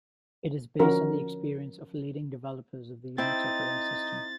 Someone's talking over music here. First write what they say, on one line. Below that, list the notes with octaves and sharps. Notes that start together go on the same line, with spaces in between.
It is based on the experience of leading developers of the Unix operating system.
D3 F3 C#4 F#4 A#4
C4 D#4 E4 A6